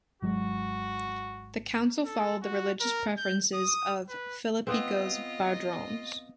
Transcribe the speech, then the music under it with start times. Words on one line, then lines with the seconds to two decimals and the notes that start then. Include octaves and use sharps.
The Council followed the religious preferences of Philippikos Bardanes.
0.22 G#1 F#3 G#3 F#4
2.06 A4
2.43 F#4
2.81 A#4
3.18 G6
3.54 D#6
4.09 B4
4.67 B3 C4 F4 D#5